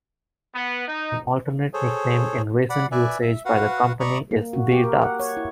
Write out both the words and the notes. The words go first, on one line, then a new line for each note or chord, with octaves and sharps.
An alternate nickname in recent usage by the company is B-Dubs.
B3
D#4
G#4 A4 C5 C#5
D5 F#5 B5
B4 D5 E5 G#5
E5
F#4 B4 F5 F#5
D5 A#5 B5 C#6 D#6
A#3
F#4
G4
A#4
F#5
C#5
E4